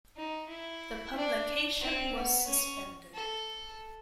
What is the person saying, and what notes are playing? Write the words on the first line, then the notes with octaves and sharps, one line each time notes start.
The publication was suspended.
D#4
E4
D4
C4
B3
C#4
A4